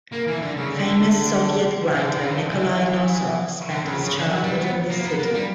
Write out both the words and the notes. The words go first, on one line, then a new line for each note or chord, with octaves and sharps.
Famous Soviet writer Nikolay Nosov spent his childhood in this city.
A#3
E3
D3
C#3
D3
E3
D3
C#3
D3
E3
D3
C#3
C#3
D3
F#3
G3
B3
A#3
B3
A#3
G3